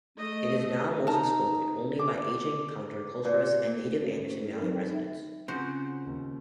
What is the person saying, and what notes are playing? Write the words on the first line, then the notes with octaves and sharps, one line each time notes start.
It is now mostly spoken only by aging counter-culturists and native Anderson Valley residents.
A3 D#5
D#4 A#4 A5
D6
A#2
C#4 F#4
E4 C5
A4
F#3 C4 D#4 A4 A#4
G5
D#4 E5
C#3 C4 C#4 F4 F#4 C5
D#2